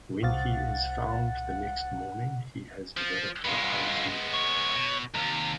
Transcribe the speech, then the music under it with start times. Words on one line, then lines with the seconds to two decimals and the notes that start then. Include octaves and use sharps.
When he is found the next morning, he has developed a high fever.
0.23 C2 F5 F#5 A6
2.97 F3
3.45 G2 G#3 B3 F4
4.34 C#5
4.76 B2
5.15 D#2 G#2 C3